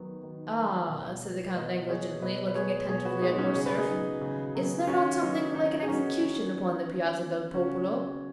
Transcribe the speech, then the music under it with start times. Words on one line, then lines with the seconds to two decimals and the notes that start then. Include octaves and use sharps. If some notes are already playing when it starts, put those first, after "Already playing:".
"Ah," said the count negligently, looking attentively at Morcerf, "is there not something like an execution upon the Piazza del Popolo?"
Already playing: D#3 F#3 B3
0.23 D#3
0.56 F#3 B3
0.89 B2
1.23 F#3 B3
1.55 B2 B4 D#5
1.70 F#5
1.80 D#5
1.88 F#3 B3 G#4 C#5
2.22 B2 B4 D#5
2.48 B4
2.55 G#3 B3 G#4 C#5
2.88 B2 G#4 C#5
3.05 F#4 B4
3.21 G#3 B3 D#4 G#4
3.38 C#4 F#4
3.56 C#3 G#4
3.66 B4
3.78 D#4 G#4
3.88 F#3 B3
4.21 C#3
4.55 F#3 B3
4.87 D#3 C#4 F#4
5.21 F#3 B3 D#4
5.54 D#3 D#4
5.83 G#4
5.87 F#3 B3 C#4 F#4
6.21 D#3
6.54 B3
6.88 D#3
7.20 B3
7.54 C#3 C#4 F#4
7.87 F#3 B3